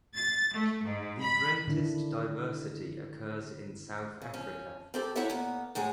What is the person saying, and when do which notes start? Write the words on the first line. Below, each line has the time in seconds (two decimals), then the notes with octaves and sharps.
The greatest diversity occurs in South Africa.
0.16 A6
0.51 A3
0.85 G#2
1.22 B5
1.68 D3 D#3 D4 E4
4.22 C#3
4.34 F3 C#4
4.94 C4 G4 A4
5.16 E4 F#4 G4 A4 C#5 E5
5.30 A#2 B3
5.75 A2 F#3 G#3 G#4